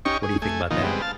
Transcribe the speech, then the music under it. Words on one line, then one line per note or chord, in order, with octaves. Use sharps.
What do you think about that?
C#4 D#4 G4 C#6
G#4
A3 G#5
D#2 B2 F3 A#3 D#4
G3 G#3 B3 C4
F5 A5